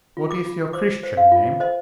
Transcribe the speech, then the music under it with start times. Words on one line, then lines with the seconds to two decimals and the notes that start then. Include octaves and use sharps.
"What is your Christian name?"
0.17 F4
0.31 D6
0.45 F4
0.73 C5 D6
1.03 C5
1.17 F5
1.32 F4
1.60 C5 D#5